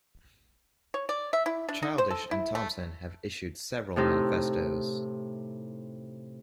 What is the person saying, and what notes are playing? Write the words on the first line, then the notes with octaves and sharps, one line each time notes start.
Childish and Thomson have issued several manifestos.
C#5
D5
E5
E4
D4
D#4
C5
A4
E4
A3
A2 C3 D#4 E4